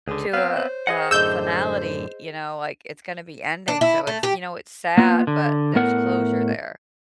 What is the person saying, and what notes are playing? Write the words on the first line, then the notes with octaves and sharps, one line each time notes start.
to a a finality, you know, like it's gonna be ending, so it's you know, it's sad, but there's closure there,
C#2 D3 G#4
B3 C4 F5
C5 C#5
G#4 D#5 F#5
F#2 A2 D3 G#4 D#5 E6 G6
D4
E4
A3
G4
A#3 B3 F4
D3
A2 B3 A#4 F#5